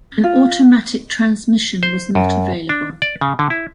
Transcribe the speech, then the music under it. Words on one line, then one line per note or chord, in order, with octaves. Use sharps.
An automatic transmission was not available.
F4
C5
F#2
D4
D5
C#3
D3
E4